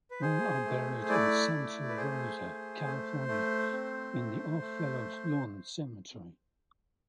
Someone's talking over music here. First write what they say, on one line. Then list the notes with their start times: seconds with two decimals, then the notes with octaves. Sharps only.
All are buried in Santa Rosa, California, in the Odd Fellows Lawn Cemetery.
0.11 B4
0.22 G#4 C5
0.65 A3
1.09 E4 D5
1.53 A3
1.89 B4
1.97 G#4 C5
2.41 A3
2.85 A3
3.28 A3
3.72 C4
4.16 A3
4.60 A3